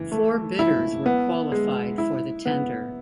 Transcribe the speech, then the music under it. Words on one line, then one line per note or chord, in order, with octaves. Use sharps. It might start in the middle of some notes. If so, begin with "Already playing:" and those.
Four bidders were qualified for the tender.
Already playing: E3
A3
E4
B3
G#3
E4
B3